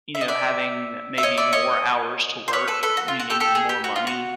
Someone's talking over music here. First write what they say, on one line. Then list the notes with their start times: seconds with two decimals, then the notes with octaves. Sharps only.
you know, having maybe more hours to work, meaning more money,
0.15 E5
0.21 D#5
0.28 D5 E5
1.18 E5
1.23 C#5 D#5
1.37 D5 E5
1.53 C#5 D#5
2.48 C5
2.53 B4 C#5
2.68 A4 B4
2.83 A4 B4
2.97 F#4
3.08 F4
3.20 F#4
3.30 G4 A4
3.40 G4 A4
3.55 G#4
3.69 G4
3.84 F#4
3.96 F4
4.07 F#4